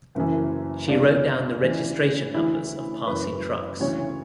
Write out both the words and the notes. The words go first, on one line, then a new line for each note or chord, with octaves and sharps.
She wrote down the registration numbers of passing trucks.
F#1 F#2 E3
C#2 B2 D4
D2 C#3 E3
D2 C#3 E3 E4
F#1 F#2 E3 B4
D2 C#3 E3 C#5